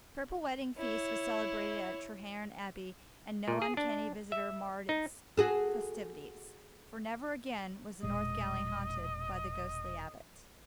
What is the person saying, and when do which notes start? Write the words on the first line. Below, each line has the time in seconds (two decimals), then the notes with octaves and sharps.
The triple wedding feast was celebrated at Treherne Abbey, and no uncanny visitor marred its festivities, for never again was the north gallery haunted by the ghostly Abbot.
0.77 E4 C#5
3.48 A#2
3.62 G#4
3.77 D4
4.32 E5
4.89 D#4
5.37 F#4 G#4 A4
8.03 E1 A#2 G#3 D#5